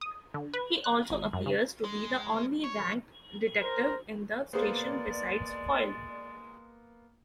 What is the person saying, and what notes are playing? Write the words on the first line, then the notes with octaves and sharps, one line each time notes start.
He also appears to be the only ranked detective in the station besides Foyle.
D#6
D3
B4
F#6
G#1
F#2
C#3
G#3
C#5
A#4 C5
G#3 A#3 B3 G#4 C5 D5